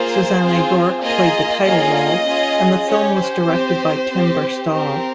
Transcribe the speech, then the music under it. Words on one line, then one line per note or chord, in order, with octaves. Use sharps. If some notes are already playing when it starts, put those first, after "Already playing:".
Susannah York played the title role, and the film was directed by Tim Burstall.
Already playing: A#3 F4 G#4 C5
C4 F4 G#4
A#3 F4 G#4 D#5
A#3 C#4 F4 G#4 D#5
C#4 F4 G#4
C#4 G4 C#5
C5
C4 G4
C4 G4
C4 G4 A#4